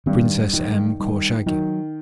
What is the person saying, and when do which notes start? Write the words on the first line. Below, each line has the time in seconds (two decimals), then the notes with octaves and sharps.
Princess M. Korchagin.
0.06 G2 D#3
0.53 D#3 G3
0.61 F#3
0.68 G3
1.00 D#3 G3
1.46 D#3 F#3